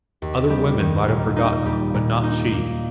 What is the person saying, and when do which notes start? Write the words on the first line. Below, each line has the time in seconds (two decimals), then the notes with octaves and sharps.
Other women might have forgotten, but not she.
0.22 D#2
0.50 G3
0.80 D#3
1.08 A#2
1.36 D#4
1.66 G3
1.94 A#2
2.23 D#4
2.52 A#3